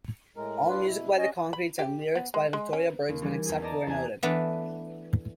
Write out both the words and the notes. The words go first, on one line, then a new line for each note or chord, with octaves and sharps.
All music by The Concretes and lyrics by Victoria Bergsman, except where noted.
A2 G#3 A#4
D4 F4 B4
B2 E4
C#4 D#5
B5
G4
B3
G#3
G#3
C#4
D#2
E3 G3 C#4
E2 G#4
D5 D#5 A5 A#5
E2 G#4 G#5 E7
E3 A3 B3 D4 A5